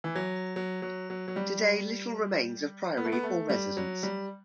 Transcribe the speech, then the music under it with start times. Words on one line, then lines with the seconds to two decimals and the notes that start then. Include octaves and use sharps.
Today little remains of priory or residence.
0.04 E3
0.15 F#3
0.56 F#3
0.82 F#3
1.10 F#3
1.28 F#3
1.36 G3
2.97 B3
3.05 A3
3.12 B3
3.23 A3
3.49 G3
3.77 F#3
4.03 G3